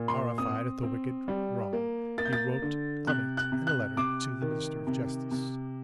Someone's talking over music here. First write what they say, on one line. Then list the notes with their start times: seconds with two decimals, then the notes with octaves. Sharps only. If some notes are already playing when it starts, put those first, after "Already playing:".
Horrified at the wicked wrong, he wrote of it in a letter to the Minister of Justice.
Already playing: A#2
0.08 C6
0.38 C4 D#6
0.83 C4
1.28 G3
1.73 A#3
2.18 A#3 A6
2.25 G6
2.33 A6
2.62 D3
3.07 C3 F#6
3.37 F#6
3.52 C3
3.67 F#6
3.97 C3 D6
4.42 D#3
4.87 C3
5.31 C3